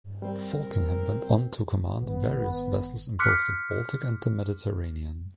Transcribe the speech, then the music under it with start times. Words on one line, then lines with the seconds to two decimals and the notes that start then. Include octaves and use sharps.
Falkingham went on to command various vessels in both the Baltic and the Mediterranean.
0.22 G3 C4 A#4
2.02 G#1 B3
3.19 C6 D6 F6 F#6 B6 C#7